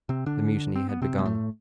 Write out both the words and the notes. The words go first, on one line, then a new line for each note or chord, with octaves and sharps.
The mutiny had begun!
C3 C4
D3 D4
C4
B3
C3 C4
G#3
A2 A3